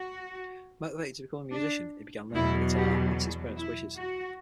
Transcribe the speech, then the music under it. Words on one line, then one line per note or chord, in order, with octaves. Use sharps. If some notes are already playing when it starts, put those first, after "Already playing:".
Motivated to become a musician, he began learning the guitar against his parents wishes.
Already playing: F#4
D4
E2 B2 F#3 E4
G4
E4
F#4